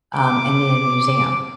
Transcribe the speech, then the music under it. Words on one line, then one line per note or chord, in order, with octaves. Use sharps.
um, Indian Museum.
D6